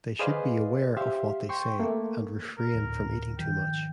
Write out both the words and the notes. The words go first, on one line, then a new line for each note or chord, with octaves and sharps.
They should be aware of what they say, and refrain from eating too much.
G#4 B4 C5 D5 D#5 F5
G4 C5 E5 F5
G5 C6 C#6
A3 A#3
A#4
D2 A2 D3
G#2 D#3 F3 G5